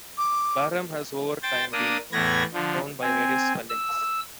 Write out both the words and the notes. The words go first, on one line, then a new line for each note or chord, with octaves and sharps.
Barham has over time been known by various spellings.
D6
C5 G5 A6
A#3 D4 D#6
E2 A2 B3 G#6 A#6
D3 F3
C4 G#5
E6